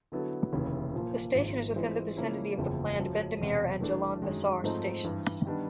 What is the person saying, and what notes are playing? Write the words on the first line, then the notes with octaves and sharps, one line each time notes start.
This station is within the vicinity of the planned Bendemeer and Jalan Besar stations.
D3 F#3 B3 E4 A4
F1 D#2 C#3 E3
A#2 F3 A#3
G#1 G#2 F3
E3 G#3 C4 F4
C#3 F3 A#3 C#4 E4
F#1 E2 C#3 F3
F#2 C#3 F3
E1 E2 C3
E3 A3 D4
F#2 D#3 G#3
G#2 F3 A3 C4 D#4
G2 E3 G3
D#3 G3 B3 D4